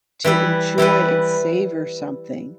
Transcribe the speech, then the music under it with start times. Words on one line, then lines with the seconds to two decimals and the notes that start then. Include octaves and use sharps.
to enjoy and savor something,
0.24 E3 G3 E4 B4
0.78 E3 G3 E4 B4